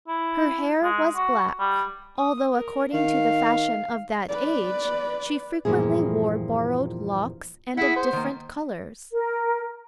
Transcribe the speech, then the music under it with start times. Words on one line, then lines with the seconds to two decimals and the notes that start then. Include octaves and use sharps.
Her hair was black, although, according to the fashion of that age, she frequently wore borrowed locks, and of different colours.
0.08 E4
0.83 G#3
1.16 F#4
1.59 G3
2.18 D#6
2.53 A#4
2.93 D#3 F5
4.29 B4 D5
5.65 E2 G2 A#2 F3 E4 G#4
7.77 E4 G#4 F#5
7.96 C5
8.13 D#3 A#3
9.13 A#4